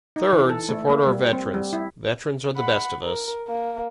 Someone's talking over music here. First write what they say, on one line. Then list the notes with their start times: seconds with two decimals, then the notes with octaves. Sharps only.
Third, support our veterans. Veterans are the best of us.
0.16 D#4
0.33 E3
0.49 A4
0.69 A3
0.90 A#3
1.07 G3
1.33 C4
1.54 G3
1.73 E4
2.56 F#5 B5
3.03 A#4
3.48 A#3